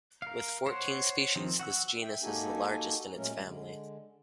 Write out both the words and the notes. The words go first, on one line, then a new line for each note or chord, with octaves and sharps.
With fourteen species this genus is the largest in its family.
A#4 F5
C5 C#5 F#5
D#3 F3 C4
F#4 F#5 E6
E5 G5
A#3 D#4 F#4 G4 A4 G#5
A#2 F#3 G#3 A3 C#4 A#4
D3 G#3